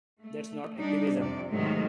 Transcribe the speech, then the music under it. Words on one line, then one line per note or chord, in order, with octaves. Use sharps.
That's not activism.
A3
G3 D4 D#4
F2 C3 D5
G#2 C3 D#3 F#3 G#3 A3